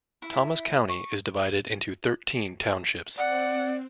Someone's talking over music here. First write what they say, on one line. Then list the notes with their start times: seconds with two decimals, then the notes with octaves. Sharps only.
Thomas County is divided into thirteen townships.
0.22 E4
0.89 C#6
3.18 C4 D5 F#5